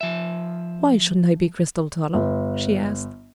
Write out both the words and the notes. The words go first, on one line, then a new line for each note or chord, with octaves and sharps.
"Why shouldn't I be Cristel Toller?" she asked.
F3 E5
G1